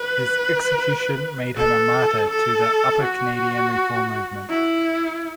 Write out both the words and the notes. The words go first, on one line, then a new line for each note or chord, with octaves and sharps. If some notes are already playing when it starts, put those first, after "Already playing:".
His execution made him a martyr to the Upper Canadian Reform movement.
Already playing: B4
A4
A4
F#4
E4